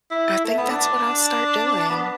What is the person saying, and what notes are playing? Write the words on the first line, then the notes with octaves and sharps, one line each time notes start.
I think that's what I'll start doing.
E4
A3
B3
D4
B3